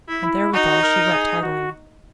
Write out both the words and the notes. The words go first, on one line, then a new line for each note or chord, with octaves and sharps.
And therewithal she wept heartily.
E4
E4
D#4 F#4
A#4
G#4
F#4